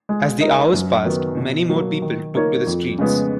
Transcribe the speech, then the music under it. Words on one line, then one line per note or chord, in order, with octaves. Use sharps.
As the hours passed many more people took to the streets.
G#3
D#4 A#4 D#5
F#2
D#3 F#3 B3
B2
F#3 A#3
D#3
A#3 D#4 A#4 C#5
F2
C#3 G#3 B3